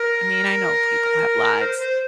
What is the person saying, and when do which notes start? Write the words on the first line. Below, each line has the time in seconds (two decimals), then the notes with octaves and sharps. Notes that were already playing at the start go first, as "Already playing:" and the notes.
I mean, I know people have lives,
Already playing: A#4
1.61 C5
1.79 C5